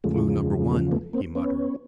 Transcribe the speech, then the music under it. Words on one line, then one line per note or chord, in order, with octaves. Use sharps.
"Clue number one!" he muttered.
E2 C#3 F3 G#3 A3
G#3 A#3
A3 B3
A#3 C4
B3 C#4